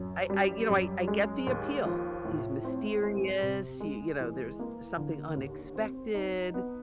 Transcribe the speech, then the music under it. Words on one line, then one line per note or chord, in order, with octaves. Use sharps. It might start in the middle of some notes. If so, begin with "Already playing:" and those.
I I, you know, I I get the appeal. He's mysterious, y you know, there's something unexpected,
Already playing: F#2
G3
F#2
G#3
D#2
F3
A2
C4
G#3
C3
G#3
E3
A#3
D3
D#2
C4
D#4
B3